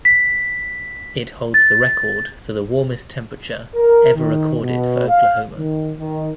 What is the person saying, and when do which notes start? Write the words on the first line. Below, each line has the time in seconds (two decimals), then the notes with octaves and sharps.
It holds the record for the warmest temperature ever recorded for Oklahoma.
0.05 B6
1.54 A6
3.75 A#4
4.15 D#3
4.62 B2
5.09 F5
5.58 D#3
5.99 D#3